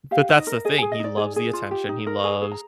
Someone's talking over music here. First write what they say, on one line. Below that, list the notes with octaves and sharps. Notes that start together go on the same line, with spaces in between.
but that's the thing, he loves the attention, he loves
G4 F5
D#4
D#5
A#4
G#4 D#5
G#4 G#5
D#5
D#4 D5
G#4
G#4
F4
G4
D#4
A#4
G#4 G#5
G#4
A#5